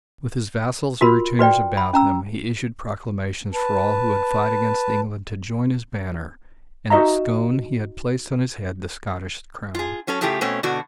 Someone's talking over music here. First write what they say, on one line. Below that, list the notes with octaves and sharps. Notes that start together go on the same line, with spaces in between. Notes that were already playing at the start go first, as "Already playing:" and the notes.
With his vassals and retainers about him, he issued proclamations for all who would fight against England to join his banner, and at Scone he had placed on his head the Scottish crown.
F4 F#4 A#4 B5
F#4 B4 D5 G5
B5
C#4 A#5 E6
B4 A5
D#4 F#4 D#5 E5 A#5
F4 G#4
F#3 C#4 A4 C#5
A2 C#3 A3 F4 G4 G#4
B2 A3 C4 C#4
B2 D3 D4 F#4